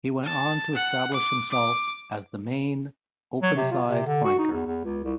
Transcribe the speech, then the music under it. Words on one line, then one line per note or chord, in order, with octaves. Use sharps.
He went on to establish himself as the main openside flanker.
A5
F#5
D6
D6
F#3
C3
F4
C3
D3
F#4
D#4
E2
E2
C#2
C2